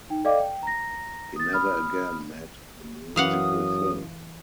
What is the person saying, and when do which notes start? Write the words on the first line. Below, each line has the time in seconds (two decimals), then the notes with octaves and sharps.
He never again made a musical film.
0.10 D#4 G5
0.24 A4 D5 D#5 F5 G5 D6
0.40 G5
0.63 A#5 A#6
1.36 D#6 A6
1.53 B5 D#6 F6
3.16 F#2 E3 F5 F#5 D#6